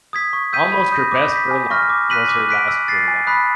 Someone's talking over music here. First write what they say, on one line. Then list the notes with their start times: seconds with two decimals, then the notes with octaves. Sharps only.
Almost her best furlong was her last furlong.
0.13 D#6 G#6 B6
0.33 C#6
0.53 E6 G6 B6 D#7
0.72 B5
0.92 D#6 G6 A#6
1.11 D6
1.31 G6
1.36 B6
1.51 G#5
1.70 C#6 F6 A#6
1.89 D6
2.10 F#6 B6 D#7 F#7
2.29 D6
2.49 F#6 B6 D7
2.68 E6
2.88 A6 C7
3.08 G#5
3.27 B5 D#6 F#6 B6